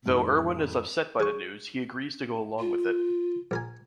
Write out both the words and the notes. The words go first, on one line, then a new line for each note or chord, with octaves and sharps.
Though Irwin is upset by the news, he agrees to go along with it.
F2 A2 D#3 G3 G#3
G#4 C#6
F4
A#1 A#4 G#5